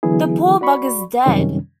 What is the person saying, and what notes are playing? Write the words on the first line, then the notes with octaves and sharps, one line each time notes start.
The poor bugger's dead!
D3 E3 F#3 B3 E4 G#4
F#4 D5 B5 C#6
F#2 C3 D#3 G3 C#4